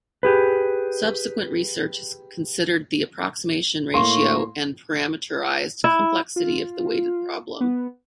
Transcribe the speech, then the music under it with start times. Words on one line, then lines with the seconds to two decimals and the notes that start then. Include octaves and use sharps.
Subsequent research has considered the approximation ratio and parameterized complexity of the weighted problem.
0.23 G4 G#4 B4
3.94 A2 A#3 C6 C#6
5.84 E4
6.36 F4
7.61 B3